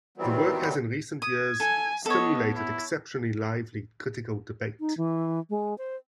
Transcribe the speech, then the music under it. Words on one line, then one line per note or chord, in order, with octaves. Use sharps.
The work has in recent years "stimulated exceptionally lively critical debate".
D#3 E3 F#3 G3 B3 C4
D#6 G#6
A4 G#5
B3 A4 C#5 D#5
E4
D#4
E3
G#3
C5